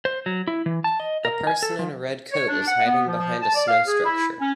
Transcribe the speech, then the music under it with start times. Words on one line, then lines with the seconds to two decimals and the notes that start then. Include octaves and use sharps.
A person in a red coat is hiding behind a snow structure.
0.05 C5
0.26 F#3
0.47 E4
0.66 E3
0.84 A5
1.00 D#5
1.25 A#4
1.47 G#5
1.63 A4
1.79 F3
2.31 C#5
2.48 D4
2.67 F#5
2.86 B3
3.06 F3
3.19 F3
3.41 A5
3.55 D5
3.68 F5
3.87 G#4
4.04 E4
4.39 C#4